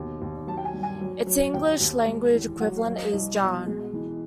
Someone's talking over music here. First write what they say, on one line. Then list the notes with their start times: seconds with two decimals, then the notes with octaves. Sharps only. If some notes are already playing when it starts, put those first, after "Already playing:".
Its English-language equivalent is "Jaron".
Already playing: D#2 B2
0.21 D#2
0.47 F#3 A5
0.57 G5
0.65 G#5
0.73 G2
0.83 G#5
1.01 F#3
1.27 F#3
1.54 D#2 G5
1.80 D#2
2.07 G#2
2.33 E3
2.60 F#3 F#5
2.77 F5
2.87 F#3
2.96 D#5
3.13 C2
3.40 B2
3.66 G#3
3.93 E3